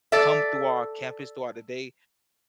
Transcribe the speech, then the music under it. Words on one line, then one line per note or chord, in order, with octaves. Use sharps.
come through our campus throughout the day
A4 D5 E5